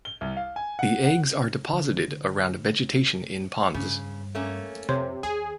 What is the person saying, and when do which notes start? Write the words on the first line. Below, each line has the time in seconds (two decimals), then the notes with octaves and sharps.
The eggs are deposited around vegetation in ponds.
0.05 G7
0.21 C2
0.37 F5
0.56 G#5
0.79 F#5
1.06 F#5
1.73 D3
3.74 G2 C#3
4.35 A3 A#3 C#4
4.89 F2 C3 C5 C#5 C6
5.23 D#2 G#4 G#5